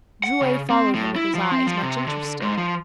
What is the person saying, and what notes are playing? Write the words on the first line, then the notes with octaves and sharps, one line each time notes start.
Drouet followed him with his eyes, much interested.
F#5
C#3
C4
A2
E4
F3
C4
F3
C3
D3
G#2
F3